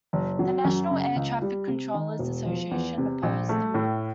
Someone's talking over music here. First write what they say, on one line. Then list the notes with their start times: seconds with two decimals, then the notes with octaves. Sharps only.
The National Air Traffic Controllers Association opposed the move.
0.13 F#1
0.39 F#3
0.65 F#2
0.90 C#3
1.16 C#2
1.42 G3
1.68 C3
1.94 D#3
2.19 E1
2.46 F3
2.71 E2
2.98 C3
3.23 A#1
3.49 A3
3.74 A2